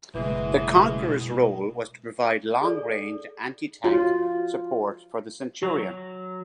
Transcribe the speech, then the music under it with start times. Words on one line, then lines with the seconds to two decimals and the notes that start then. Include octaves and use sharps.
The Conqueror's role was to provide long range anti-tank support for the Centurion.
0.15 F#1 B2 E3 G#3
2.61 G#4 A4 D5
3.84 F4 F#4 C#5
5.63 F#3